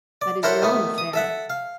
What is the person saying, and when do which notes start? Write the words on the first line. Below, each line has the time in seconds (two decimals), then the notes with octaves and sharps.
"That is your own affair."
0.22 D5
0.43 E4 A4 A#4 C5 C#5 F#5
0.62 D#3 A3 B3
0.98 D#6
1.13 A4 E5 F#5
1.50 F5